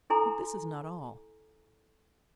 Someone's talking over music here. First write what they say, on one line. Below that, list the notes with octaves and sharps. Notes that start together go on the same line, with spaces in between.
But this is not all.
E4 A4 G#5 A#5 C6 D6